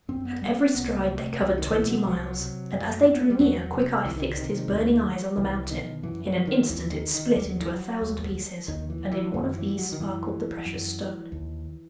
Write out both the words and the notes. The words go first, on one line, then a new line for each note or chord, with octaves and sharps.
At every stride they covered twenty miles, and as they drew near Quickeye fixed his burning eyes on the mountain; in an instant it split into a thousand pieces, and in one of these sparkled the precious stone.
F#2 C4
B3
G3
C4
C2 B3
C3 A3
C2 G3
D#3
B2 E3
F#3
C2 F#3
C3
F#2
C4
B3
A3
G3
E2 F#3
C3
C2 E3
D#3
C3 D#3
D#2
C2 E3
B2 D#3
F#2 E3
F#3
D#3
D#2 E3
E3
D#3
D#3
D#2 G3
F#3
E3
F#3
D#2
D#2 D#3
E3
E3
F#2 D#3
E3
F#3
D#3
F#2 E3
F#2
D#2